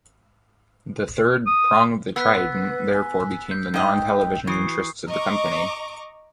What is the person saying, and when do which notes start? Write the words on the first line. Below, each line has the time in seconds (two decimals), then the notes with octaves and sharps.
The third 'prong of the trident' therefore became the non-television interests of the company.
1.47 D#6
2.16 B3 B4 E6 F#6 B6
2.92 G#5
3.51 G6
3.74 G#2 D#5 G5
4.47 E3 F#4 C#6 D#6 C7
5.09 D#5 A#5 C#6 D6